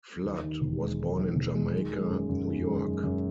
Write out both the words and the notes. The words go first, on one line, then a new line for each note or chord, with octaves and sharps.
Flood was born in Jamaica, New York.
D#2
D#3
E1
G#3
D#2
D#3
E1
G#3
D#3
G#3
F#2
F#2
D#3
G#3
F#2
F#2